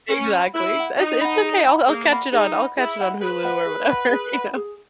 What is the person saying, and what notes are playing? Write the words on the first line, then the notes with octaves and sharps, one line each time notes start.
Exactly, ex "It it's okay, I'll I'll catch it on I'll catch it on Hulu or” “whatever," you know.
C#4 B4
F#5 B5
E4 B4
F#5 B5
D#4 B4
F#5 B5
G#4
D#5 F#5 B5
A#3 G#4
D#5 F#5 B5
D#4 G#4
D#5 F#5 B5
E4 G#4
D#5 F#5 B5
G#4 B4
D#5 F#5 B5
G#4
D#5 F#5 B5
G#4
D#5 F#5 B5
G#4